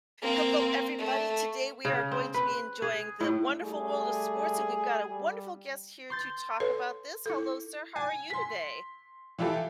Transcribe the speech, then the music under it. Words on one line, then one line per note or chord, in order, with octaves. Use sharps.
Hello, everybody. Today, we are going to be enjoying the wonderful world of sports, and we've got a wonderful guest here to talk about this. Hello, sir, how are you today?
A#3 C4
A3
C#3
C4
B4
G#4
A2
G3 A3 G#4
G3
C6 G6 A6
A4 B4 C#5
E4 A4
G#5
C6 B6
E3 E4 F4 G4 A4